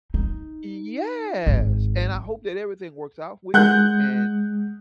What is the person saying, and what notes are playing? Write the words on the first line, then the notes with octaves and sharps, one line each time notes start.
Yes, and I hope that everything works out with you, and
D#4
G#1
G#3 F#5 F#6 G6